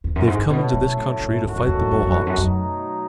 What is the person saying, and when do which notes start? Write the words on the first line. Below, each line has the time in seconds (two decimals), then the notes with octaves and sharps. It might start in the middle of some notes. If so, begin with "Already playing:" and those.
They have come into this country to fight the Mohawks.
0.04 E2
0.16 F#2
0.27 G#2
0.38 A2
0.50 B2 F#3 A3 C#4 E4 A4
0.73 B2
0.97 A2
1.20 G#2
1.44 E2 D#3 A3 C#4 F#4 A4
1.56 F#2
1.68 E2
1.80 F#2
1.91 F#2
2.03 F#2
2.15 E2
2.27 F#2
2.38 F#2 B2 F#3 A3 D#4